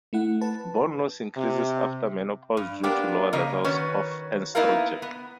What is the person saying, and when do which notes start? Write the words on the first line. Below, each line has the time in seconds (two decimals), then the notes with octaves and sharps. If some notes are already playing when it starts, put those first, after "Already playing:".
Bone loss increases after menopause due to lower levels of estrogen.
0.13 A3 E4 F#5
0.41 B4 A5
1.37 C3
2.57 G2
2.83 A#3 B3 D4 G4
3.33 C#3 A#3 D#5
3.64 D#3 C#4 F#4 B4 C#5
4.55 A#3 B3 D#4 E4 A#4 F5
5.02 B3